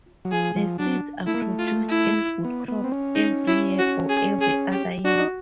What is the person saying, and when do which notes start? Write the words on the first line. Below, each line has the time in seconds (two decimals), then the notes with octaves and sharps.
The seeds are produced in good crops every year or every-other year.
0.25 F#3
0.32 F3 G#4
0.56 F3
0.79 F#3 D4
1.27 A3 E4
1.34 A#3
1.42 A3
1.59 F4
1.89 E4
2.44 B3
2.68 B3
2.84 C4
2.92 C#4
3.16 D#4
3.47 E4
3.79 F#4
4.09 G#4
4.41 G#4
4.72 G4
5.04 D4 F#4
5.19 D#4